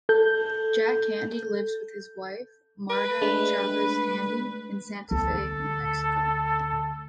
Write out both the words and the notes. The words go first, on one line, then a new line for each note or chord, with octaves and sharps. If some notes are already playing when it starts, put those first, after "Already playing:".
Jack Handey lives with his wife, Marta Chavez Handey, in Santa Fe, New Mexico.
A4 G6
B4
G#3 A3 D4
D2 A4